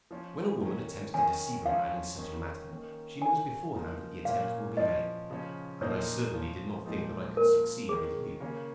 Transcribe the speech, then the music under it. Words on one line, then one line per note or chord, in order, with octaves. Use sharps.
When a woman attempts to deceive a man in such a matter she knows beforehand that the attempt will be vain; and I certainly did not think that I could succeed with you.
F3 C#4
D#3 C#4
D#3 C#4 G#5
F3 C#4 F5
D#3 C#4
D#3 A#3 C#4
D#3 C#4 G#5
C#3 F3 A#3 D#4
A#2 A#3 C#4 F5
F3 C#4 D#5
C#3 F3 C#4
A#2 F3 A#3 D#4 C#5
F3 C#4
A#2 F3 G#3 D#4
F3 A#3 C#4 A#4
D#3 C#4 G#4
C#3 A#3 C#4